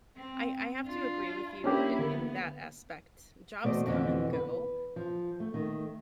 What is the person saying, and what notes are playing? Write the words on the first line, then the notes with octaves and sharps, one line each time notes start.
I I have to agree with you in in that aspect. Jobs come and go
C4
D4 F4
A#3 C#4 D4 E4 G4
D3 A#3 B3
E2 B2 A3 F#4 C5 D5
F2 B2 D3 E3
B4
F3
A3
D#3 A3